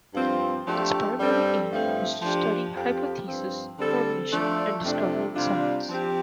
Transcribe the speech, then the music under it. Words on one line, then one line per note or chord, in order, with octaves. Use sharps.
Its primary aim was to study hypothesis formation and discovery in science.
G2 F3 C4 F4
F3 A3 D4 G4
G2 G3 C4 A4
G2 F3 A3 C4
F3 D4 G4
F2 F3 C4 G4
G2 F3 C4
D3 G3 C4 A4
F3 A3 D4
F2 C3 A3 D4
C3 G3 D4 F4
F3 C4 G4